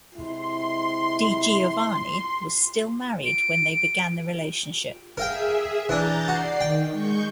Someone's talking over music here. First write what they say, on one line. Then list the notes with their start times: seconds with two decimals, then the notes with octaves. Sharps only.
Di Giovanni was still married when they began the relationship.
0.17 C3 G#3 E4 C6
3.25 D7
5.18 G#4 A#4 E5 F5 G5
5.89 E3 D4 A#5 G6 A6
6.28 F#4 D5 C7
6.61 D#3 G5
6.91 G#3 C#6 G6